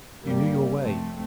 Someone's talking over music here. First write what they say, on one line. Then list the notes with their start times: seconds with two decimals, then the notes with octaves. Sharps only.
You knew your way.
0.24 G2 G3 A#3
0.81 F2 C3 A3 C4